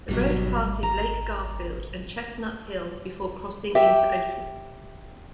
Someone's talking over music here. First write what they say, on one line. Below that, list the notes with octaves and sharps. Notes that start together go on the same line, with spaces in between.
The road passes Lake Garfield and Chestnut Hill before crossing into Otis.
G#1 B2 F#3 G3
A#5
G4 E5